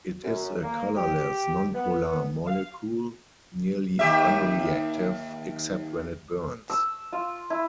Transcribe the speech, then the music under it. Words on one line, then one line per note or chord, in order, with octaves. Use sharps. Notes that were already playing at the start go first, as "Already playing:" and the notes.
It is a colorless, non-polar molecule, nearly unreactive except when it burns.
F#2
A#3
G4
B3
F5
D#2 G4 E5
E6
F4
E4